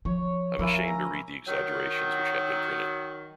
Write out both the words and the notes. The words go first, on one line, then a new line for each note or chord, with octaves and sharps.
I'm ashamed to read the exaggerations which have been printed"".
F3 C#5
F3 A#3 E4 G#5
A#5
D#3 F#3